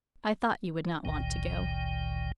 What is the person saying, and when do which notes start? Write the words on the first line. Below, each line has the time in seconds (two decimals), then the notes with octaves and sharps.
I thought you would not want to go.
1.05 G1 C#2 A#2 D#3 G5